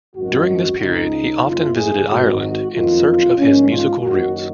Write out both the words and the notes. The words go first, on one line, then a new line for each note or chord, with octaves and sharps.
During this period he often visited Ireland in search of his musical roots.
G#1 F#2 D#3 F#4
C#2 C#3 D#4
F#1 F#2 C#3 F4
G#4
G#1 G#2 D#3 F#4
F#4
F#1 F2 D#3 F4
A#1 G#2 D#3 C#4
F4
F#1 F#2 D#3 F#4